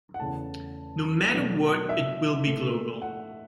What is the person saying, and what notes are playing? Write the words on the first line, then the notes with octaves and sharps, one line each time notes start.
No matter what, it will be global.
F#5
E2 C#3 A3 A5
B2 F#3 A3
E5
A2 A3
F#5